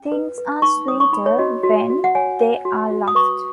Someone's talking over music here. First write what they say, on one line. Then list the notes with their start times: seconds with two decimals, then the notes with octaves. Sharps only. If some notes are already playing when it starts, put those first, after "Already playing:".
Things are sweeter when they're lost.
Already playing: C#4
0.12 B4
0.38 B4
0.62 D#4 C#6
0.88 C#5 D#6
1.00 C#6
1.13 D#4 B5
1.26 C#5
1.38 F#4 D#5
1.63 F#4
1.90 F#4
2.04 F#5
2.15 C#5 G#5
2.40 C#5
2.65 F#4
2.91 F#4
3.08 D#6
3.15 B4 C#6